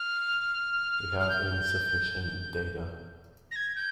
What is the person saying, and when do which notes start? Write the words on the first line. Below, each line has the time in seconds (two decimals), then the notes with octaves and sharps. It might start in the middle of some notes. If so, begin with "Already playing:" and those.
We have insufficient data.
Already playing: F6
1.20 F6
1.29 G6
3.51 A#6
3.56 G#6
3.76 G6